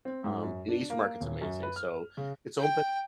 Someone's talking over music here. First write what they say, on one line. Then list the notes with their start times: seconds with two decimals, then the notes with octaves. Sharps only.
Um, and the Eastern Market is amazing, so it's open
0.05 C4
0.24 G#2
0.43 F#2
0.68 D4
0.90 A#3
1.20 D#1
1.41 F#2
1.63 B4
1.76 F6
2.17 C#3
2.59 G5